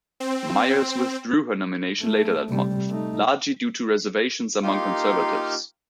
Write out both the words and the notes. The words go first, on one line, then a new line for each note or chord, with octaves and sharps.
Miers withdrew her nomination later that month, largely due to reservations among conservatives.
C4
A3
C3 G3
A3 D#4
A#3 D#4 F4 G4 F5 C6